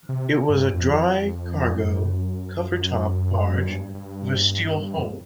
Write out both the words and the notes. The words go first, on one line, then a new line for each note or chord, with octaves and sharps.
It was a dry cargo cover-top barge with a steel hull.
C3
G2
F2
F#2
F#2
G2
G2
F2